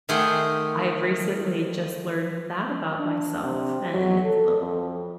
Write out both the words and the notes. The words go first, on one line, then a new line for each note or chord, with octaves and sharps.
I've recently just learned that about myself, and it's, uh
D#3 A3 G4 G#4 F#5 C6
D4
C3
F#3
A4
F2